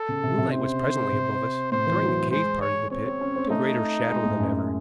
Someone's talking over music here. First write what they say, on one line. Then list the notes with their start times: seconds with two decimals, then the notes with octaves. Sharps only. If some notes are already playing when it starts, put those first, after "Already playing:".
Moonlight was presently above us, throwing the cave part of the pit into greater shadow than ever.
Already playing: A4
0.09 C#3
0.23 C3
0.38 C3
0.53 C5
1.12 C3
1.72 A2 C5
1.87 E3
2.02 F#3
2.16 F#3
2.31 G#3 C5
2.61 C#5
2.91 C4 C#5
3.07 C4
3.21 C#4
3.36 C4
3.50 A3 D#4
4.10 G#3
4.25 A2
4.40 F#2